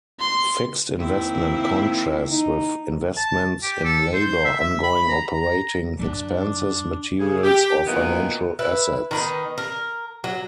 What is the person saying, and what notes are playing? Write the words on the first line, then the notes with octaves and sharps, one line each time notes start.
Fixed investment contrasts with investments in labour, ongoing operating expenses, materials or financial assets.
C6
D#3 A#3 C4 E4
D#4
A5
G4
A4
C5
E5
E5
B5
A#5
A#5
F#2 F#3 G3 D4
C#3 G#4
G4
F#2 A#2 D#3 E3 A#3 B3
E4 B4
D#3 B3 D#4
A#4
F#3